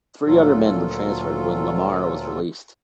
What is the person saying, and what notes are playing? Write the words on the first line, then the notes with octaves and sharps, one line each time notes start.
Three other men were transferred when Lahmar was released.
D2 A#2 F#3 F4 A4